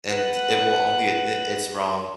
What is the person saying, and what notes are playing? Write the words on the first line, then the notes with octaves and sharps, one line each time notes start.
and it will only admit it's wrong
B4 F#5